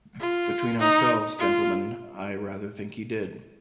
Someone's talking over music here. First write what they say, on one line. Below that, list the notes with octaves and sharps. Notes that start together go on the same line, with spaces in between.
Between ourselves, gentlemen, I rather think he did.
F4
D#4
F4